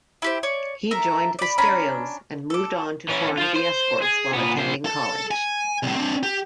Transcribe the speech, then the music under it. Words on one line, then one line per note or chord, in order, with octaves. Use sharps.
He joined The Stereos, and moved on to form The Escorts, while attending college.
E4 G4 C5
C#5 D5
A4 A#4 E5
D5 B5
C#4 D4 A#5 B5
A4 D6
E3 C#4
F4 C5
C5
G#4
A#2 B3
A#2 C5
A4
G#5
C2 A2
C4 D4
G4